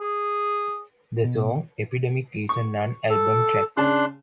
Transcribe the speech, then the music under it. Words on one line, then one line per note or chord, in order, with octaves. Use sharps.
The song "Epidemic" is a non-album track.
G#4
B2
C#6
A4
C#3 D4 A5 C6 F#6